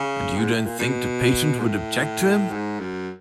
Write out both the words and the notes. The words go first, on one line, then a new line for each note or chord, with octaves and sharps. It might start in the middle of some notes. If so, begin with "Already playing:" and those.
And you don't think the patient would object to him?
Already playing: C#3
G#2
A2
A#2
B2
G#2
A2
G#2
F#2